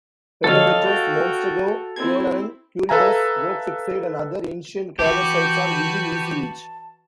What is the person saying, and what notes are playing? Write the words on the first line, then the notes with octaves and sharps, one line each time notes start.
Peyrepertuse, Montsegur, Puilauren, Queribus, Roquefixade and other ancient Cathar sites are within easy reach.
D3 F3 F#3 A4 C#5 D#5 F5
F#4 G5
C4 E4 G#6
A4 B4 E5 F5 G#5 A#5
E3 F#4 G4 B4 A5